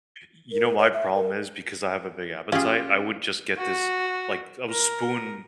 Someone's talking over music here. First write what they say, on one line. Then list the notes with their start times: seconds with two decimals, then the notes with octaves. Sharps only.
Y you know, my problem is because I have a big appetite, I would just get this, like I would spoon
0.52 A#4
0.78 C#5
0.94 E5
1.15 A#4
2.52 C#4 F4 G4 G#4
3.57 F#4
4.69 A#4